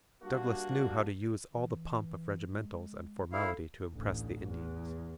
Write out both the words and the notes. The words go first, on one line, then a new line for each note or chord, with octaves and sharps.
Douglas knew how to use all the pomp of regimentals and formality to impress the Indians.
G3 A#3 D4 F#4
E3
G#3
E4 A4 F5
A1 D2
E2